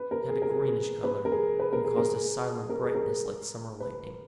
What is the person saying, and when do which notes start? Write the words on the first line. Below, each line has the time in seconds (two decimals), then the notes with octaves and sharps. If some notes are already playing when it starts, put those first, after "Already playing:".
It had a greenish colour, and caused a silent brightness like summer lightning.
Already playing: B4
0.11 A#4
0.30 G#4
0.42 A#4
0.49 G#4
1.04 B4
1.25 A#4
1.32 G#4
1.60 B4
1.73 A#4
1.85 G#4
1.97 A#4
2.15 G#4
2.70 A#4
2.83 G#4
2.95 A#4
3.80 B4